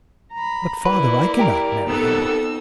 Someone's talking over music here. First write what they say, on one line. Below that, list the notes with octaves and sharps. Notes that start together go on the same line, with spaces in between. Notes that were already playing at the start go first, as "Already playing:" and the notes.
But, father, I cannot marry him.
A#5 B5
A#3 E4 B4 D5
G4 A#4
F2 B3 D#4 A4 E6